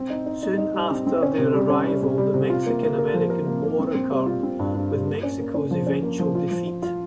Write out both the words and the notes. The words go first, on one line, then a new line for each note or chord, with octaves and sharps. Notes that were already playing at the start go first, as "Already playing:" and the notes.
Soon after their arrival, the Mexican-American War occurred, with Mexico's eventual defeat.
Already playing: C4
D#4
D#4
D#4
D#4
G3
C4
C4
C#4
C3
G3
C#4
G3
C3
G3
C3
F4
A#3
A#3
A#4
F3
A#4
A#3
A#3
C4
C4
G3
F4
C4
G2
G2
G3
A#3
C#4
A#3
C#4
F3
C#4
A#3
F3
F4
F3
F4
F4